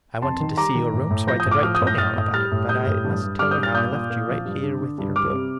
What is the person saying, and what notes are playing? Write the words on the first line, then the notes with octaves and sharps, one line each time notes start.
I wanted to see your room so I could write Tony all about it, but I must tell her how I left you right here with your books.
F2 A5 C6
D#3
G3 A#5 D6
D#3
A2
A2
F3 G6 A#6
D#6 G6
A2
D6 F6
F3 D6 F6
D#6 G6
A2
G6 A#6
A2 F6 A6
A2
G3 F6 A6
A2
G3 D#6 G6
A2
G2
G2
G2 D6 F6
D#6 G6
G2
F6 A6
A#2 D#6 G6
A#2
A#2
F3
G2
D3
D3
G2
G3 D6 F6
C3